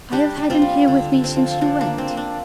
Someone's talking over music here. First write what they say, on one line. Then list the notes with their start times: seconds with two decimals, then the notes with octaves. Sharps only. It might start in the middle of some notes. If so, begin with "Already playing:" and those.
"I have had him here with me since you went."
0.12 G3 D4 G4
0.37 G3
0.50 C4 F4
0.62 G3
0.88 D3
1.12 D3
1.24 C4
1.36 F3
1.61 F3 D4
1.81 D4
1.86 A#3
1.98 C4
2.11 A#3
2.17 D4